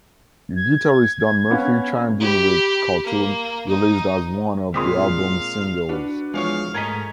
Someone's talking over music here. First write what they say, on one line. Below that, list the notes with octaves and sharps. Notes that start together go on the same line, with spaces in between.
Guitarist Dan Murphy chimed in with "Cartoon," released as one of the album's singles.
G#6
B3 C#4 F5
G4 B5
A#3
D#4
A#2 G#3 C4 F5 C6 D#6 B6
D4 F#4 B4
E2 F3 G#3 C#5 F5
G#2 A3 C#4 A#4 D#5 A#5 G#6 B6